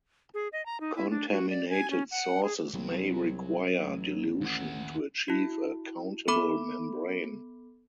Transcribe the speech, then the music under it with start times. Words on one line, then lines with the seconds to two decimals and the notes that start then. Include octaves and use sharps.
Contaminated sources may require dilution to achieve a "countable" membrane.
0.34 G#4
0.52 D#5
0.66 A#5
0.80 D#4
0.96 E4
1.10 D4
1.31 F#4
1.50 D5
1.70 G#5
1.90 C#4
2.11 F#5
2.43 G#4
2.74 C2 F#3
3.85 A1
4.41 D#2 F#5
5.28 E4 F#4
6.28 B3 A4 B5 D6